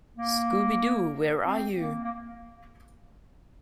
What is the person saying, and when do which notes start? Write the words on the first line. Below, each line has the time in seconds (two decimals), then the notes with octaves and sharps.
Scooby-Doo, Where Are You!
0.17 A#3
1.45 C4
1.78 A#3
2.04 A#3